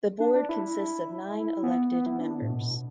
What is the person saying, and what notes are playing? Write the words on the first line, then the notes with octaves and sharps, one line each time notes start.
The board consists of nine elected members.
D4
D4
E4
B3
B3
E4
D4
A2
B2